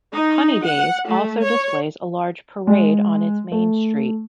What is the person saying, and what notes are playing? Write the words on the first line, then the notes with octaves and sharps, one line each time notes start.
Honey Days also displays a large parade on its main street.
D#4
F#5
A3
C#5
G#3
A3